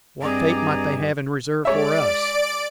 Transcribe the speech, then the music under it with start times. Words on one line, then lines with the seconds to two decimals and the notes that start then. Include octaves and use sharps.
What fate might they have in reserve for us?
0.22 G2 C4 G#4 D5 D#5 A#5 D6
1.65 G#3 C#5 D5 E5 D7